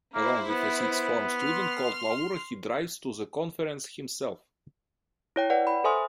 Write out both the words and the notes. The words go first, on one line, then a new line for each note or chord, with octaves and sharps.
Along with a sixth form student called Laura he drives to the Conference himself.
A#3 E4 C5
B3
C6 F6
E4 C#5 G5
B4 D5 F#5
B5
A4 C5 E5 G#5 C6 D#6